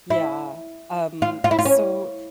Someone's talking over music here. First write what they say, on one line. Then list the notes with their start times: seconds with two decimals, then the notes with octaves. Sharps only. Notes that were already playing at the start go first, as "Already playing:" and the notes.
Yeah. Um, so,
0.10 E4
1.22 F4
1.44 F4
1.51 E4
1.59 F4
1.65 C#4